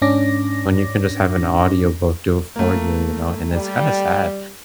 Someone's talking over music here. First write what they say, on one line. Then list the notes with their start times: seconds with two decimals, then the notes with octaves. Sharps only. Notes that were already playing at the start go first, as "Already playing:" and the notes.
when you can just have an audiobook do it for you, you know, and it's, kinda, sad
0.02 G#2 C#4 D4 D6 A#6
2.56 A3 A#3
3.50 G3